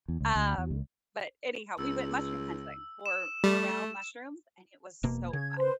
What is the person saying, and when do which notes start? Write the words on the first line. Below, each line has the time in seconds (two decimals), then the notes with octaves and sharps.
um, but anyhow, we went mushroom hunting for morel mushrooms, and it was so fun.
0.08 E2
0.21 C#2
0.36 D2
0.58 E2
0.70 C#2
1.79 C#2 E6
3.06 E7
3.44 G3 A3
5.03 E1 B2 A#3
5.33 C#3 G#6
5.58 B4 C5 C6